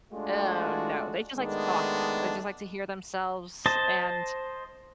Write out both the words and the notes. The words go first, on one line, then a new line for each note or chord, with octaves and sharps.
Oh, no, they just like to talk. They just like to hear themselves. And
G#3 A3 D4 F4 F#4
D#3 G#3 A3 B3 D4
C5 D#5 A5